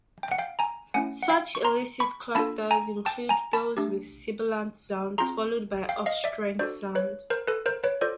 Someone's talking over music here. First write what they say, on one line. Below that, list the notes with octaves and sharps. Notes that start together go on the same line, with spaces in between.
Such illicit clusters include those with sibilant sounds followed by obstruent sounds.
G5
F#5
F5 G5
G#5 A#5
A3 C#4 E4 F#5 G#5
F#5
F5 G5
C#6
A#5 C6
B5 C#6
A#3 D4 F4 A4 A5 B5
G#5 A#5
G5 A5
G#5 A#5
A5 B5
A3 D4 G4
C4 F4 G#4 A#5 C6
F5 G5
D#5 F5
D5 E5
D4 F#4 A4 C5 D5
B4 C#5
A#4 C5
A4 B4
A#4 C5
B4 C#5
F4 A4 C5 D5